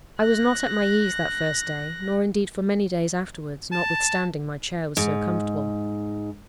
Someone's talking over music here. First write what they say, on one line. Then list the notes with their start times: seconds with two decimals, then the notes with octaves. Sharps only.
I was not at my ease that first day, nor indeed for many days afterwards, notwithstanding my chair was so comfortable.
0.19 F#6 A#6
3.72 A5
4.97 G#2